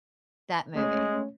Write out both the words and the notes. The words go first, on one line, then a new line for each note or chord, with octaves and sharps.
that movie.
G#3 A3 C#4 C#5